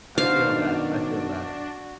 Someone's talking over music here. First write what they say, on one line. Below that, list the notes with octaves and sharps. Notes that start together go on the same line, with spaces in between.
I feel that. I feel that.
F#2 B2 D#3 D4 F#4 C5 F5
F#4